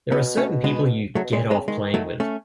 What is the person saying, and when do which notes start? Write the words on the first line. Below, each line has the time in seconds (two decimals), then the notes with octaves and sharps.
There are certain people you "get off" playing with.
0.12 B2 B3 D#4
0.37 A3 C#4
0.64 G#3 B3
1.15 C#3 F#3 A3
1.24 B2
1.31 C#3 G#3
1.51 G#3 B3
1.68 D#3 G#3
1.94 F#3 A3
2.20 A3 C#4